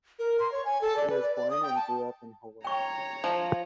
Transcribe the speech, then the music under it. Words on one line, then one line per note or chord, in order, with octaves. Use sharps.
She was born and grew up in Hawaii.
A#4
C6
C#5
G#5
A4
D5
B4
D5
D5
D#6
G5
A5
C#5 G5 A#5 C#6
F3